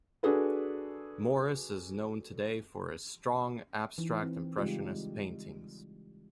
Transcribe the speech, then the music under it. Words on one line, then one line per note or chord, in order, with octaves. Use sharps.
Morris is known today for his strong Abstract Impressionist paintings.
D4 F#4 G#4 A4 B4
E3 D#4
C4
C#3 G3 G#3 D#4 F4 G4